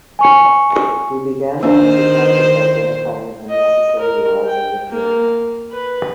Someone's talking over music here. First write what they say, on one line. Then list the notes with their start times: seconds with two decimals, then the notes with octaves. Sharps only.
We began the exercise of identifying unnecessary laws and repealing them.
0.19 G#5 C#6 C#7
1.63 D#3 A#3 C#4 D4 C5
3.50 D#5
3.99 A#4
4.46 G5
4.90 A#3
5.72 B4